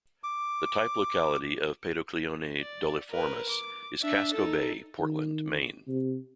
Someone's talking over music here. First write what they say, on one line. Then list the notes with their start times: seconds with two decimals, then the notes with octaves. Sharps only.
The type locality of "Paedoclione doliiformis" is Casco Bay, Portland, Maine.
0.24 D6
2.60 D5
3.11 A#4 B4
3.50 D6
4.02 D4 E5
4.34 D#4 A4
5.00 D#3
5.88 C3